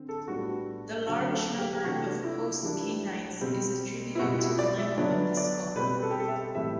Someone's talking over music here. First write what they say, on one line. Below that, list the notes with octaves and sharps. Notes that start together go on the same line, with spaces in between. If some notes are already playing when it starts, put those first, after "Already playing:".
The large number of postcanines is attributed to the length of the skull.
Already playing: D3 C4
A4
A2 G3 B3 D4 F#4
D3 F#3 B3 D4 F#4
A4
G4
G4
C3 E3 A3 D4 F#4
E4
E3 G3 D4
B2 G3 C4
E4
B2 G3 C4 F#4
E4
D5
E5
D3 F#3 B3 D4 D5
D5
B2 G3 C4 B4
A4
G4
A4
E5
A2 E3 G3 C4 E5